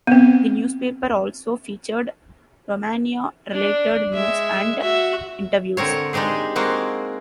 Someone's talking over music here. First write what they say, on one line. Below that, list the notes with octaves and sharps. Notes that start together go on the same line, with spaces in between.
The newspaper also featured Romania-related news and interviews.
B3 C4
D4
G#3 E5
F#4 E5
D3 C4 A#4 C#5
G#3 D4 D#4 G4 G#4
G#3 A#3 C4 F#4 A#4